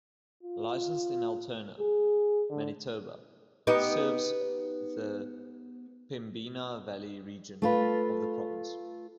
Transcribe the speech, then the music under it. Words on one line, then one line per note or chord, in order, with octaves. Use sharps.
Licensed to Altona, Manitoba, it serves the Pembina Valley region of the province.
F4
G#4
D3
B3 D#4 G4
A3 F4 B4